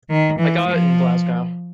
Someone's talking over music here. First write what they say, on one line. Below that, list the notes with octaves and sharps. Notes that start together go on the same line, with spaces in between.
I got it in Glasgow.
D#3
E3
F3